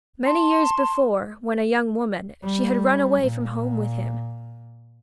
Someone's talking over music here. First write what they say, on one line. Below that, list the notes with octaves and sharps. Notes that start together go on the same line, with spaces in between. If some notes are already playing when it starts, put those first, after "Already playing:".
Many years before, when a young woman, she had run away from home with him.
A5 C6 C#6
G3
A#2